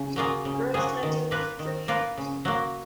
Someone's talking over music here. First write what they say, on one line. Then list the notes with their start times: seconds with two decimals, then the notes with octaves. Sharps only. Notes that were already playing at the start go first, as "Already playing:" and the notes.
Girls, can I do anything for you?
Already playing: C#3
0.16 F#3 A#3 F4 G#4
0.45 C#3
0.74 F#3 A#3 F4 G#4
1.03 D#3
1.31 A#3 F4 B4
1.59 D#3
1.88 A#3 F4 B4
2.18 C#3
2.45 F#3 A#3